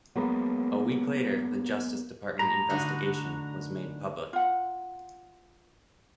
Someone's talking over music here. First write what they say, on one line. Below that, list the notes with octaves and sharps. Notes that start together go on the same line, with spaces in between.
A week later the Justice Department investigation was made public.
F#3 G#3 A#3 B3
A2 A#5
D3 D#4 F#4
F4 F#5